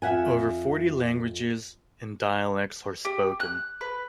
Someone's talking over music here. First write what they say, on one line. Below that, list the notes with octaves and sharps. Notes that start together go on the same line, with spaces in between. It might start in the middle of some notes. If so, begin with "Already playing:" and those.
Over forty languages and dialects are spoken.
F2 E5 F#5 G#5
G4
F#6
B4